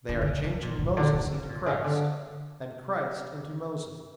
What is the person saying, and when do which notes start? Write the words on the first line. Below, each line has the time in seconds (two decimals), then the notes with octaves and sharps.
They are changing Moses into Christ, and Christ into Moses.
0.09 D3
0.21 D3
0.27 C#3
0.44 C#3
0.62 A#2
0.79 A#2
0.97 D3
1.14 D3
1.32 C#3
1.49 A#2
1.66 C#3
1.84 D3